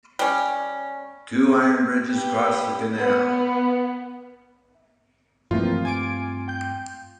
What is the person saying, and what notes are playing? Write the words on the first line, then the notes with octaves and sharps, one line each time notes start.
Two iron bridges cross the canal.
G3 C#4
G4 B4
B3
G2 E3 F3 A3 A#3 C4 F4
G#5 D6 D7
G5 G6